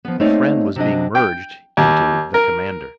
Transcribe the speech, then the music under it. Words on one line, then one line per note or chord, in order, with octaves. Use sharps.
The friend was being merged into the commander.
F3 B3
A3 A#3 C4 D#4 C#5 D5
C3 F#3 D4 D#5
G5
D#2
A#4